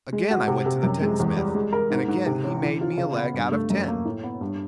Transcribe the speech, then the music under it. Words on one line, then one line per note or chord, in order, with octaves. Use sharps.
Again I went to the tinsmith, and again he made me a leg out of tin.
G#3
F#4
C3
C3
F#2
G#3
E2
G3
G#3
A#4
G#2
G#2
C3
C#4
E3
F4
C#3
B3
G2
A3
F#2
A#3
A2
B3
G2